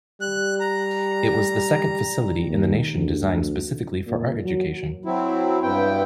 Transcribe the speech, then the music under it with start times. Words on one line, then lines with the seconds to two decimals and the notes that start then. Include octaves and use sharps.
It was the second facility in the nation designed specifically for art education.
0.21 G3 F#6
0.60 A#5
2.47 D#2
2.92 D2
4.06 A#2
4.44 F#3
5.05 F#3 C4 E4
5.63 G2 B3 E4 G5